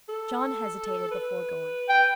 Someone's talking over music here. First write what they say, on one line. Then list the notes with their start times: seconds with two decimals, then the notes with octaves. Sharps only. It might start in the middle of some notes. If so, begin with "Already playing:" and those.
John hesitated before going.
0.09 A4
1.11 B4
1.89 G5